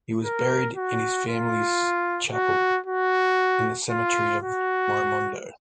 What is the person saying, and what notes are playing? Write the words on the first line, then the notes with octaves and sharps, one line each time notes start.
He was buried in his family's chapel in the cemetery of Morimondo.
A#4
F#4
F4
F#4
F#4
F4
F#4